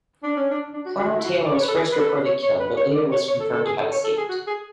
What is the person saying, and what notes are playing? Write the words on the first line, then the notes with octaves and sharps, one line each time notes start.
Colonel Taylor was first reported killed, but later was confirmed to have escaped.
D4
C#4
D4
D4
F#4
F#4
F#4
E4
F#4
D5
C#5
B4
A4
G#4
B4
A4
B4
C#5
C#5
B4
C#5
D5
C#5
C#5
A4
A4
G#4
A4
C#5
A4
G#4
F#4
G#4